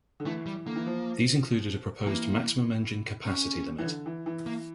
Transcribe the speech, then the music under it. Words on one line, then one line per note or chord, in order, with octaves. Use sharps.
These included a proposed maximum engine capacity limit.
D3
E3 A3
G3
D3 A#3
E3
F3
E3 A#3
C#4
E3
D3
E3
E3
A#3